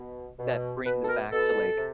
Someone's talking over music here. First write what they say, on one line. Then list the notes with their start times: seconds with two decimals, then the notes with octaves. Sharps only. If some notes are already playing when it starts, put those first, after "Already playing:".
that brings back to, like,
Already playing: B2
0.39 B2
0.84 B2 B4
1.04 A4
1.07 A#4
1.31 B2 A4
1.77 C3